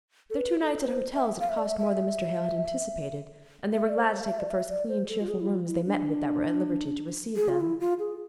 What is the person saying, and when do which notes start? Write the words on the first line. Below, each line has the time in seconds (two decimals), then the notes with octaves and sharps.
Their two nights at hotels had cost more than Mr. Hale had anticipated, and they were glad to take the first clean, cheerful rooms they met with that were at liberty to receive them.
0.30 A4
0.37 B4
0.62 A4
0.83 B4
0.88 C5
1.14 E5
1.40 F5
1.49 E5
1.58 D5
1.67 E5
1.79 E5
3.72 E5
3.89 D5
3.98 C5
4.19 F5
4.25 E5
4.39 D5
4.50 E5
4.70 D5
4.89 C5
5.09 A4
5.21 F4
5.28 G#4
5.40 E4
5.47 F4
5.67 E4
5.86 D4
7.36 G#4
7.49 F4
7.60 E4
7.80 F4
7.99 G#4